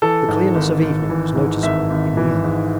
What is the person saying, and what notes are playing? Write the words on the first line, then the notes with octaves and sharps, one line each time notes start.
The clearness of evening was noticeable in the air.
E3 A4
G#2
G#1
G#1
E3
G#2
G#1 E5
G#1
E3
G#2